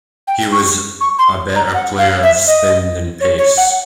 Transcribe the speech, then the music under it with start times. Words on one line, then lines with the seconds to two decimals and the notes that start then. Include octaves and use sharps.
He was a better player of spin than pace.
0.27 G5
0.52 C#6
1.01 C#6
1.18 C6
1.56 A#5
1.74 F#5
1.98 F5
2.23 E5
2.47 D#5
3.20 C#5
3.38 C#5
3.57 F#5